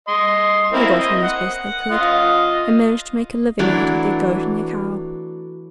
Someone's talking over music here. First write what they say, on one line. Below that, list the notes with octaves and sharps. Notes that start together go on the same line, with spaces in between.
They got on as best they could, and managed to make a living out of their goat and their cow.
D#5 C6
A#3 C4 E4
D#5
F#5
F4 D#5
E3 F#3 A3 D4